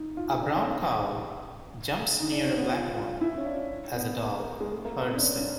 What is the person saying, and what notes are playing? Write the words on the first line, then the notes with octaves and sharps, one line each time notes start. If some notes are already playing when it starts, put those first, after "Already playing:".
A brown cow jumps near a black one as a dog herds them.
Already playing: D#4
F4
D#4
D4
C#4
D#4
D4
C#4
B3
F4
F4
E4
C#4
D4
B3
A#3
G#3
A3
A#3
B3
C4
D4
C#4
D4